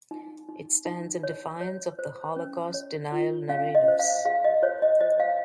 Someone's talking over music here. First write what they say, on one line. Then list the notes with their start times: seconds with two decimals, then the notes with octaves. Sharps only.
It stands in defiance of Holocaust denial narratives.
0.11 D#4
0.49 D#4
0.85 D#4
1.23 C#5
1.61 C#5
1.99 C5
2.36 C#4
2.74 C#5
3.12 F4
3.49 C#4 F5
3.75 D#5
3.88 C5
3.99 F5
4.25 G#4 F5
4.44 D#5
4.63 C5 C#5
4.82 D#5
5.01 C5 D#5
5.20 F5